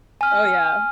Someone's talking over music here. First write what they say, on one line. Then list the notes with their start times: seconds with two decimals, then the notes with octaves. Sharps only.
Oh, yeah,
0.21 G#5 F6